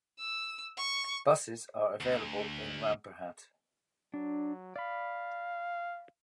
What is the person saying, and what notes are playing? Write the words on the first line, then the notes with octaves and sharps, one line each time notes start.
Buses are available in Rampurhat.
E6
C#6
D2
F#3 D4
D5 F5 B5